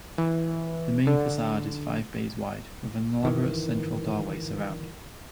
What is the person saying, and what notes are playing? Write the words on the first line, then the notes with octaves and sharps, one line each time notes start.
The main facade is five bays wide, with an elaborate central doorway surround.
E3
D3
G1 D#3 E3